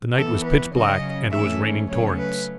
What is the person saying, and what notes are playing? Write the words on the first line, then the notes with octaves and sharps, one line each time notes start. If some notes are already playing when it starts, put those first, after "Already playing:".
The night was pitch black and it was raining torrents.
E3 B3 A4
B4
C#3 F#3 C#4 D#5
A2 E3 A3 C#4 E5
C#3 F#3 A3 C#4 C#5
B4